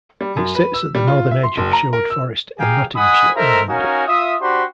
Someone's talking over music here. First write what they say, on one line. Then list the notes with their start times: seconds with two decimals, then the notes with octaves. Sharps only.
It sits at the northern edge of Sherwood Forest, in Nottinghamshire, England.
0.21 G3
0.37 F#2
0.55 B4
0.74 E6
0.95 G3
1.07 F4
1.31 E5
1.43 C6
1.57 F#1
1.73 A#5
1.93 A#4
2.10 E6
2.58 G4 G#4 F5 G5 G#5 A#5
2.95 D#5 F#5 G#5 B5 D#6
3.35 D#4 A4 A#4 C5 E5 A#5
3.69 C#4 D#4 F#4 A#4 F5 G#5
4.06 F4 E5 D#6
4.40 D4 F#4 G4 C5 B5 C6